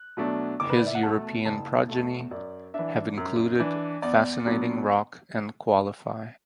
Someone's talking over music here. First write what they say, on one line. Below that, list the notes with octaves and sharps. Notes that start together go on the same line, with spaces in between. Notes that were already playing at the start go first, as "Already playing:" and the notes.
His European progeny have included Fascinating Rock and Qualify.
Already playing: F#6
B2 F#3 A3 D4
F#1 D6
B4
D5
E5
F#5
E2 B2 A3 A5
F#1 A5
E2 B2 A3
F#2 D5
E3 D4 E5
F#2
E3 D4
E2 D5
B2 F#3 B3 D4